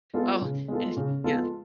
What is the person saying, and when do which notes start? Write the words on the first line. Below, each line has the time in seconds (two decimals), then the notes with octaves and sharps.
Oh, eh, yeah.
0.14 G#3 B3 F4 A4
0.41 C#3
0.68 G#3 B3 F4 A4
0.97 C#3
1.24 G#3 B3 F4 A4